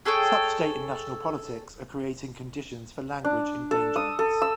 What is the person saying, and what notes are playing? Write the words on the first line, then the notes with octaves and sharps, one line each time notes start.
Such state and national politics are creating conditions for language endangerments.
G#4 A4 C#5 G5
D4
A4
D#6
A4
E6